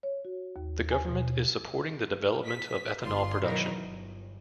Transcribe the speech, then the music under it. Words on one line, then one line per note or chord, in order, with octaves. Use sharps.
The government is supporting the development of ethanol production.
C#5
F#4
D#2
G#5
B2
B6
G1 F4 C6
B2 D#3 E3 F#3 D#4 A#4
G1